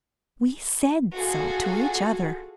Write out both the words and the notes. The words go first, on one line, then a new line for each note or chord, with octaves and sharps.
We said so to each other.
F4 F#4 G#4 A4